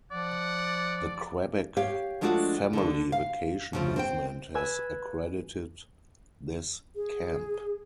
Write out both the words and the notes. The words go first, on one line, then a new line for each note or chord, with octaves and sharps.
The Quebec Family Vacation Movement has accredited this camp.
F3 D5 F#5
G4 C#5 F5
F3 G#3 A3 D4 F4 F#4
D3 D4
F5
F2 C#3 F3
C4 C5 G5
B4 G#5 E6
G#4